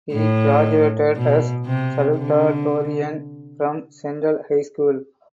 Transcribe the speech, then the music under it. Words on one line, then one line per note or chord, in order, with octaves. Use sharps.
He graduated as salutatorian from Central High School.
A2
B2
C3
D3